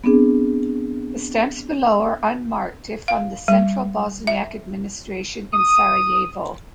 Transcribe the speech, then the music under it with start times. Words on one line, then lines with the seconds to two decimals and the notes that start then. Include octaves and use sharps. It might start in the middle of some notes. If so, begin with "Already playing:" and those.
The stamps below are unmarked if from the central Bosniak administration in Sarajevo.
0.04 B3 C4 D4 G#4
3.08 F5
3.48 G3
4.27 E5
5.54 D#6